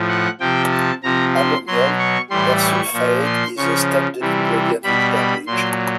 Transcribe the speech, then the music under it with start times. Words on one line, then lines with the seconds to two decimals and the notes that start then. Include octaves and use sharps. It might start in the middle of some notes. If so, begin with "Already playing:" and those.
Ammonium persulfate is a standard ingredient in hair bleach.
Already playing: A2 F3
0.08 F#5
0.40 C3 F3 G5
0.72 A5
1.03 C3 F3 A#5
1.35 C6
1.67 B2 F#3 C6
1.99 C#6
2.30 A2 E3 G3 C6
2.62 C#6
2.93 A#2 F3
3.25 C6
3.56 C#3 F3 C#6
4.20 C3 E3 G3
4.83 B2 G3 B5
5.15 B5
5.46 A#2 F#3 C6